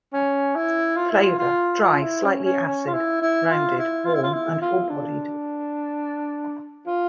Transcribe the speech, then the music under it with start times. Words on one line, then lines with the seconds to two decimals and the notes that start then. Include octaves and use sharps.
Flavour: dry, slightly acid, rounded, warm and full-bodied.
0.13 C#4
0.55 E4
0.96 F4
1.10 E4
1.23 F4
1.38 F4
1.81 F4
2.02 E4
2.23 C#4
2.44 C#4
2.66 C#4
2.87 F4
2.93 E4
3.22 E4
3.50 F4
3.78 E4
4.05 F4
4.14 E4
4.23 F4
4.33 E4
4.62 F4
4.89 D4
6.86 F4